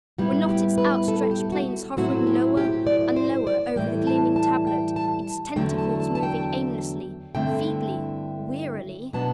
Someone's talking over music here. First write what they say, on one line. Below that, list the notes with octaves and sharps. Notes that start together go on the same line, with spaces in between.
Were not its outstretched planes hovering lower and lower over the gleaming tablet; its tentacles moving aimlessly, feebly--wearily?
A2 G3 B3 E4 F#4
G4
B4
A4
G4
F#4
A2 F#3 C4 E4 F#4
G4
G4
D5
C5
D5
A2 E3 G3 G5
A5
A5
G5
A5
E2 D3 F#3 A3 G5
A5
A5
A5
G5
G2 D3 A3 C4 E4 G5
B2 F#3 B3 D4 A5